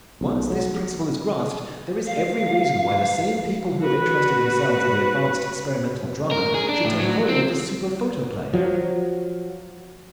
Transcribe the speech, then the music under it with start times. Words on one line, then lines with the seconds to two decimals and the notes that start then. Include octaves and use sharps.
Once this principle is grasped there is every reason why the same people who have interested themselves in the advanced experimental drama should take hold of the super-photoplay.
0.21 B1
0.50 F#3
2.06 F5
3.80 F#4 B4
6.31 A#4
6.55 G#4
6.69 D4
6.85 A2
7.00 F#3
7.29 C4
8.54 F3 F#3